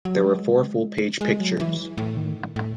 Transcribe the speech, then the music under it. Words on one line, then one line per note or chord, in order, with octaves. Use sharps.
There were four full page pictures.
F#3
G#3
G#3
F#3
E3
A2
D#3
A2